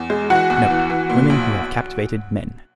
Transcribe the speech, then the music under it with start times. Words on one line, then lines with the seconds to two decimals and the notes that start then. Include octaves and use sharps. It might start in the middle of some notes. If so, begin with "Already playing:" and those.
Note, Women who have captivated men.
Already playing: E2
0.10 G#3
0.30 E3 F#4 F#5
0.50 E2
0.70 E3
0.90 E3
1.10 A#2
1.30 B1